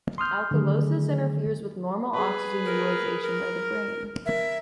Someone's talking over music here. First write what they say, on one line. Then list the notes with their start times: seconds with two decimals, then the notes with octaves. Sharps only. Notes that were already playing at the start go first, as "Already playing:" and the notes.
Alkalosis interferes with normal oxygen utilization by the brain.
0.18 C6 D#6 F6 G6
0.51 D3 D#3 F#3 A3 G#4
2.14 G#4 B4
2.65 A#4
3.22 A#4
4.26 A#4 E5